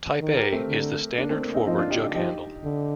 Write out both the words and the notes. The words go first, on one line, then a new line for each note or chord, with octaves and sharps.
"Type A" is the standard forward jughandle.
D#3
G4 A#4
A3 C4
D3
A#3 D4
A3 C4
A#3 D4
C4 D#4
F3 C4 D#4
D4 F4
D#4 G4
D#4 G4
F3 D#4 G4
D3